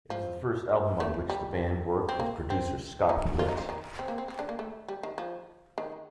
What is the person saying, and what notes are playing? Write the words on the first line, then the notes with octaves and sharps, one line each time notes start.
It is the first album on which the band worked with producer Scott Litt.
F3
A3
G3
C4
A#3
C4
D#3 D#4
F4
D#4
F3 F4
D#3 D#4
C4
A#3
C4
C4
D3 D4
A#3
A3
G3
D#3
F3
D#3